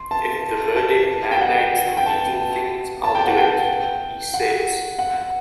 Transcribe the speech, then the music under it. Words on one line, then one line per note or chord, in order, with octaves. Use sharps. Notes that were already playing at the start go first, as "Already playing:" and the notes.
"If the verdict mandates deleting things, I'll do it," he says.
Already playing: C6
A5
A5
G5
F#5
G5
A5
A5
G5
F#5
G5
F#5
F#5